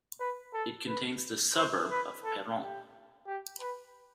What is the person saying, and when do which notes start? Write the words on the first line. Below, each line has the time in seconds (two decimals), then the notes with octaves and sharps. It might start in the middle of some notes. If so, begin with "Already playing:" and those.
It contains the suburb of Peron.
0.20 B4
0.53 A4
0.88 B4
1.55 C5
1.90 B4
2.24 A4
2.59 G4
3.27 G4
3.61 B4